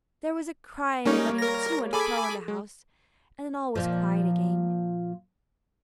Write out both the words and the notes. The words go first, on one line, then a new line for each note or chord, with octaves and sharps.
There was a cry and a running to and fro in the house, and then all was quiet again.
G3 A#3 C#4 D#4 C#5
A#4 A#6
G#4 A4 G#5 B5 D6
G#3
A#2 F3